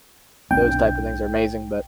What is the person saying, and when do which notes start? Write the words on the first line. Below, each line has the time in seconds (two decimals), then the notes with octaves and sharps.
those type of things are amazing, but
0.51 B1 C4 D4 G5